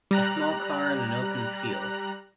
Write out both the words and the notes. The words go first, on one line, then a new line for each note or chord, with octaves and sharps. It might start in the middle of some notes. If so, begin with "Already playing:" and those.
A small car in an open field.
G3 A#5 F#6